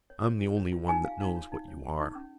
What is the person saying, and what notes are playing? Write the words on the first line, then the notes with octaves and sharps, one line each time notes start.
I'm the only one that knows what you are.
C#5
C#5
F4
C#5
F4
D#4 G#5
G4 F5
D#4 F5
C#5
D#4
C#5
G4
D#4
C#4